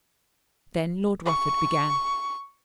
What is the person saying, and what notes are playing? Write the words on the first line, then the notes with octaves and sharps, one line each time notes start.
Then Lord Rufford began.
C#6